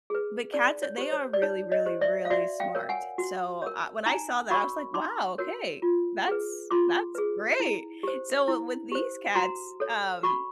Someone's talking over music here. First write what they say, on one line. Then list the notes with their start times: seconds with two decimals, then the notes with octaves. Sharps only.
But cats, they are really, really, really smart. So, uh when I saw that, I was, like, "Wow, okay. That's that's great." So, with these cats, um,
0.10 G#4 B4
0.54 D#4 D5
0.83 C#5
0.98 G4 C5
1.12 C#5
1.33 D5
1.42 D#4 C#5
1.72 C#5 D#5
1.86 G4 C5
2.01 D5 E5
2.25 F5
2.30 F#4 D5 E5
2.60 F5 G5
2.75 A#4 C#5
2.89 F#5 G#5
3.18 F#4
3.62 A#4 C#5
4.06 D#4 G#5 A#5
4.50 F#4 A#4 C#5 B5 C#6
4.94 D#4 C6 D6
5.38 F#4 A#4 C#5
5.82 F4
6.27 G#4 B4
6.71 F4 C6 D6
7.15 G#4 B4
7.60 E4
8.03 G4 C5
8.48 E4
8.92 G4 C5
9.35 F#4 A#5 C6
9.80 A4 C#5
10.23 F#4 B5 C#6